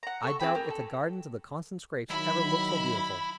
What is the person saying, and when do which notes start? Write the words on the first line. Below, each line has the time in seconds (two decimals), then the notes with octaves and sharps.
I doubt if the gardens of the Constant-Scrappes ever looked so beautiful.
0.03 F#5 A#5
0.23 A4 C#6
0.40 C4 G#4 G5 B5
0.55 G4 A#4
0.70 A4
2.10 D#3 F#3 E4 B5